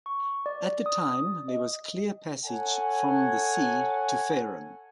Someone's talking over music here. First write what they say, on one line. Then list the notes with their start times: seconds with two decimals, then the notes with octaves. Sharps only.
At the time there was clear passage from the sea to Farum.
0.06 C#6
0.46 D5
0.86 D#6
1.48 D#5
2.45 A4 C#5 F#5 G#5